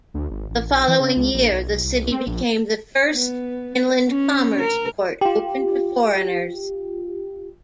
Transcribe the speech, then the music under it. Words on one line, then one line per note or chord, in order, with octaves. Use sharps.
The following year, the city became the first inland commerce port open to foreigners.
D2
G#1
A1
B1
E3
C#3
C#2
A#1
B1
C2
C4
A#1
B3
C#4
A#4
F4 G4